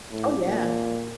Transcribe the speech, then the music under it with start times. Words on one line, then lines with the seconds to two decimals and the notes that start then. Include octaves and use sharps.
Oh, yeah.
0.11 A2
0.44 A#2